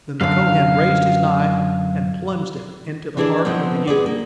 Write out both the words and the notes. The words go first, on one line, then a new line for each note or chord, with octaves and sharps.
Then the Kohen raised his knife and plunged it into the heart of the youth.
F#2 D3 F5
E3 D4 E4 G#4 C#5 D5
B2 F3 B3 C4
G#4 B4 D5
A#3